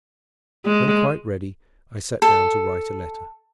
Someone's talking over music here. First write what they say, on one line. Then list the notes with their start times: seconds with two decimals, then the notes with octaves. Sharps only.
When quite ready, I sat down to write a letter.
0.66 G#3
2.22 A4